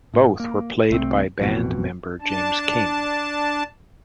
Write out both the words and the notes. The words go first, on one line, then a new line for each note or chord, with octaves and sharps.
Both were played by band member James King.
A2
A#3
C2 A3 C4
A1 F2 B2
D4 A5